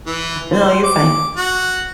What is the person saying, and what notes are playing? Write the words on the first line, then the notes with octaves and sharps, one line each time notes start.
No, you're fine.
E3
C5
D6
F#4